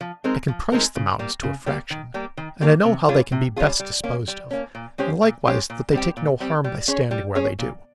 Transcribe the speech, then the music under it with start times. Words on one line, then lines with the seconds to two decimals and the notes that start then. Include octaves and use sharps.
I can price the Mounds to a fraction, and I know how they can be best disposed of; and likewise that they take no harm by standing where they do.
0.01 F3
0.24 G#3 C4 D#4 A#4
0.48 F3
0.72 G#3 C4 D#4 A#4
0.96 C#3
1.19 G3 A#3
1.43 C#3
1.66 G3 A#3
1.90 D#3
2.14 G3 A#3
2.37 D#3
2.61 G3 A#3
2.84 C3
3.08 G3 C#4 F4 G#4
3.32 C3
3.56 G3 C#4 F4 G#4
3.80 G3
4.04 A#3 C#4
4.28 G3
4.51 A#3 C#4
4.75 A#2
4.98 G#3 C#4 G4 C5
5.22 A#2
5.46 G#3 C#4 G4 C5
5.70 A#2
5.92 G3 C4 G4
6.17 A#2
6.40 G3 C4 G4
6.64 G3
6.88 C#4 G#4 C#5
7.11 G3
7.35 C#4 G#4 C#5
7.59 A#2